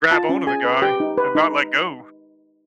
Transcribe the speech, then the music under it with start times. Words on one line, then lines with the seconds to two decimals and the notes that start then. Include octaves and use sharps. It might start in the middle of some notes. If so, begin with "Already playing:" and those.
grab on to the guy and not let go.
0.11 F4 A5
0.29 C#4
0.47 G#4 G#5
0.65 B4
0.82 G4 G5
1.00 D#4
1.18 B4
1.35 D#4